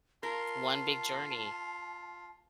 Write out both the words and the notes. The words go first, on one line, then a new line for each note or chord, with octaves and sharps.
one big journey.
F4 A#4 A5